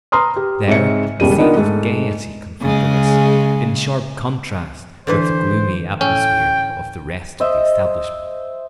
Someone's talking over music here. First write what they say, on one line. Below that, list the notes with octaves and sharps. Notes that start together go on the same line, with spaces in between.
There a scene of gayety confronted us, in sharp contrast with the gloomy atmosphere of the rest of the establishment.
B4 A#5 C6 D#6 F6
G4
G#2 C4 C#5 E5 C#7
E1 C#3 G3 D#7
D#3 B3 D4 D#4 F4 A#4
G#2 A3 A4
C#3 G#3
D3 E3 B4 C5
A2 C#4 G5
C5 D#5 E5